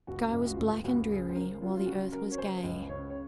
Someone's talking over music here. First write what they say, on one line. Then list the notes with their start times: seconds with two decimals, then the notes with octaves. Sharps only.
The sky was black and dreary, while the earth was gay.
0.07 C#2 F#4
0.33 C#2
0.46 F#4
0.53 F4
0.60 C#2
0.68 F4
0.84 C#2 F#4
1.10 C#3 G#4
1.29 C5
1.36 C#3 A#4
1.62 F#3 F4
1.77 F4
1.86 C#3 F#4
2.12 F#3 A#4
2.32 C#5
2.37 C#3 C5
2.64 C#2 D#5
2.89 C#3 C#5
3.10 C#5